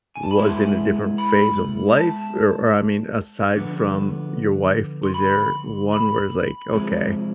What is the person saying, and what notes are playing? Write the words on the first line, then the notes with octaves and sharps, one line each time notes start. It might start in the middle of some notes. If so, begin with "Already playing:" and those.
was in a different phase of life? Or or, I mean, aside from your wife, was there one where it's like, "Okay,
G#5
A5
B5
B2 G#3 B3 E4 C6
B5
A5
D3 F3 B3
C6
B5
B5
C3 F3 G#3 C4